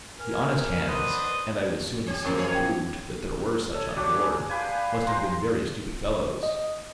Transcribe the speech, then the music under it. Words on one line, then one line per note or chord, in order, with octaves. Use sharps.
The honest hands--and I was soon to see it proved that there were such on board--must have been very stupid fellows.
A#4 G#5 F6
B3 D4 B4 C5 D#5 D#6
C4 G4
F#2 F3 A#3
G3 G#4 C#5
G5
A4 C#5
F#3 D4 G4 D6
G#4
G4 B4 F5 G#5
C5 A#5 C6
D#5